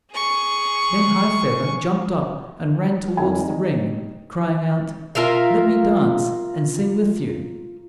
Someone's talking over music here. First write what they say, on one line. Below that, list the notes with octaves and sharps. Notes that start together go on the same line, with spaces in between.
Then High-feather jumped up and ran towards the ring, crying out, "Let me dance and sing with you!"
G#4 C#6
F2 D#3 E4 G#5
G3 D#4
F4 A#4 E5 F5